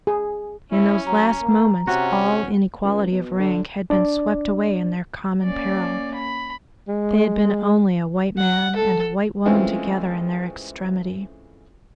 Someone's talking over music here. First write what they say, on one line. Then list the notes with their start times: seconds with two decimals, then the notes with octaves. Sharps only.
In those last moments all inequality of rank had been swept away in their common peril--they had been only a white man and a white woman together in their extremity.
0.07 G#4
0.72 C#4 E4
1.07 F#3 A#5
1.41 A#3
1.87 C3 C#4 F#4
2.84 C#2
3.11 B2
3.39 D3
3.90 D4 D5
5.44 A#3 C#4 D5
6.16 B5
6.88 G#3
8.37 F#5
8.76 A4
9.45 E3 G#3 A3 C4 C#4 F4